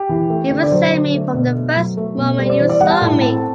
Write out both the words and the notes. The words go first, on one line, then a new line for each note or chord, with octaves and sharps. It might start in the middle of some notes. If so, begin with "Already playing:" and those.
You resent me from the first moment you saw me!
Already playing: G4
E3
A3
D3
D5
F#3 C5
D3
A3
B2
A3
F#3
A3
B2
G3 C5
D5
E3 C5
D5
G3 F#5
A5
A2
C4 A5